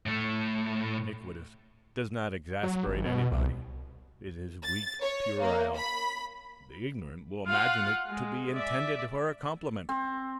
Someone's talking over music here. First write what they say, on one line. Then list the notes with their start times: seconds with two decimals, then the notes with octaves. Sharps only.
'Iniquitous' does not exasperate anybody; it is weak--puerile. The ignorant will imagine it to be intended for a compliment.
0.06 A2 A3
2.63 F#3
2.86 G#1
3.05 B2
3.32 C2
4.64 A6
5.02 C#5
5.41 A#3
5.77 B5
7.47 F4 F5 F#5
8.08 G#3
8.55 D5 E5
9.89 C4